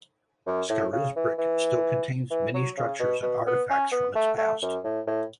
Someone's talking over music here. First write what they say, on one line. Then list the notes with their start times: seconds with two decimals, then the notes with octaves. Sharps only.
Scarisbrick still contains many structures and artefacts from its past.
0.46 F#2
0.70 A2
0.93 C#3
1.16 E3
1.38 E3
2.30 E3
2.54 F#3
2.77 C#3
2.99 B2
3.22 B2
3.46 B3
3.70 C#4
3.92 B3
4.15 A3
4.38 A3
4.62 F#2
4.84 A2
5.07 A2